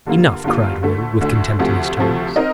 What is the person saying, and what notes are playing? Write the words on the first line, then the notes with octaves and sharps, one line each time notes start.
"Enough," cried Will, with contempt in his tones.
G2 D3 G3 A#3 F4
G2 D3 G3 A#3 F4
D2 D3 A3
D2 D3 A3
D2 C3 F3 A3
D2 C3 F3 A3
C4 D#4 A#4 D#5